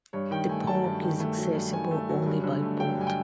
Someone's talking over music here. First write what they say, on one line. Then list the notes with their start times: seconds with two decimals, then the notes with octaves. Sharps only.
The park is accessible only by boat.
0.13 G2 C#5
0.31 D#3 G5
0.49 A3 G#5
0.67 F#3 A5
0.84 G2
1.02 D#3
1.20 A3
1.38 F#3
1.55 G2
1.73 D#3 G#5
1.91 A3
2.09 F#3
2.26 G2
2.44 D3
2.62 A3
2.79 F#3 G5
2.98 G2 G#5
3.07 G5